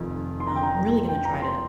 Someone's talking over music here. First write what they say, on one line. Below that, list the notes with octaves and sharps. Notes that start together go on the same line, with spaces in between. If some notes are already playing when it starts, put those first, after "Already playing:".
Um, I'm really gonna try to
Already playing: F1 F2 D#3
C6
A#5
G5
A#5
A#5
G5
A#5
C6